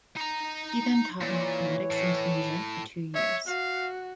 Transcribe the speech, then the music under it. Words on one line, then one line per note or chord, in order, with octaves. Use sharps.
He then taught mathematics in Tunisia for two years.
D#4 A#5
A#2 E3 C#5
A2
C#5 E5
F#4 F5